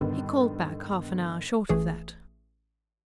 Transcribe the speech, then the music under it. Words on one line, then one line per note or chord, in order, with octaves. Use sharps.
He called back half an hour short of that.
G2 A#2 D3 D#3 B3
A1 E3 A3 G#4